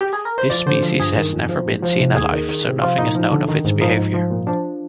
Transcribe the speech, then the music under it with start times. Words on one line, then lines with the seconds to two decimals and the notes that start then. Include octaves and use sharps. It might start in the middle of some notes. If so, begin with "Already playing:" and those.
This species has never been seen alive, so nothing is known of its behavior.
0.01 G4
0.13 G#4
0.25 A#4
0.38 C5
0.50 F3 D5
0.66 D3 C5
0.83 F3
1.00 G2 G#4
1.16 D#3
1.33 F2
1.49 F3
1.66 G#2
1.82 F3
1.99 C3
2.15 D#2 G#4
2.32 D#3
2.48 D#3
2.65 C3
2.82 F3 F4
2.98 A#2 D#4
3.15 F3
3.32 D3
3.48 D#3
3.65 G#2
3.81 F3 D#4
3.98 G#2
4.14 F3
4.30 A#2
4.47 F3 D4